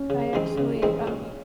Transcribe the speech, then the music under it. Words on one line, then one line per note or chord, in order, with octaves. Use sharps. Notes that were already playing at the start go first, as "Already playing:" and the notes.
I actually, um,
Already playing: C#4
C#3
E3 G#3 C4 D#4
C#3
E3 G#3 C4 D#4
A#2